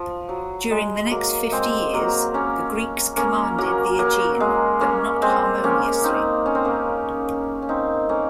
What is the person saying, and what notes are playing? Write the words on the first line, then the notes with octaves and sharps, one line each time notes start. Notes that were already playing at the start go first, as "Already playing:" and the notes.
During the next fifty years, the Greeks commanded the Aegean, but not harmoniously.
Already playing: F3
F#3
G#3
F#3 A#3
G#3 C4
F#3 A#3
A#3 C#4
A#3 C#4
F#3 A#3
F#3 A#3
G#3
A#3 C#4
G#3 C4
A#3 C#4
C4 D#4
C#4
C4
A#3 C#4
C#4
C4 D#4
A#3 C#4